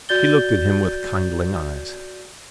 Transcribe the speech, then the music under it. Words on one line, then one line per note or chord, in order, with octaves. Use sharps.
She looked at him with kindling eyes.
F#4 D5 G6 A6 G7